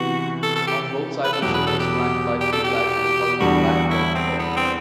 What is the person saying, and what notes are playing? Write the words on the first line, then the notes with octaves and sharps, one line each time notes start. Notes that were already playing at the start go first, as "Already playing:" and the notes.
On both sides the shield was flanked by three flags with the colours black-red-gold.
Already playing: C3 E3 B3 F#4
A4
A4
G4
B4
A4
E2 B2 F#3 G4
B4
A4
G4
G4
A4
G4
E2 D3 G3 F#4
E4
C4
B3
C4